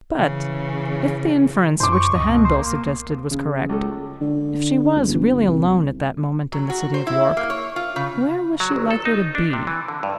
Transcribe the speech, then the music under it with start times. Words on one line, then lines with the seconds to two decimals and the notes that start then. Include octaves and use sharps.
But if the inference which the handbill suggested was correct--if she was really alone at that moment in the city of York--where was she likely to be?
0.17 C#3 E3
1.80 F#2 C5 C6 D6
1.92 C#6
2.15 C#2 D#5
2.29 B2
2.45 C5
2.57 A#3
3.31 C#3
3.69 C#2 A4
4.21 D3
4.96 C#2
5.08 G1
5.47 C2
6.53 F#3
6.70 F#4
6.94 C5
7.07 E4
7.37 A#3
7.50 C#5
7.76 F4
7.96 C#3
8.60 F#3
8.76 G1
8.91 A4
9.05 D#4
9.35 D4
9.53 C3
9.67 E3
9.88 D3
10.03 G2